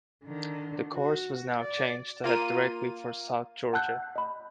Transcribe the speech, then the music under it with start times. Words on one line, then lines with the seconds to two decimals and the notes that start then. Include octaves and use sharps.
The course was now changed to head directly for South Georgia.
0.25 D3 D#3
0.94 F#4
1.60 D5
2.24 A#3 F4 D#7
3.73 F#5 A5 E6 F#6 G6
4.16 D#5 B5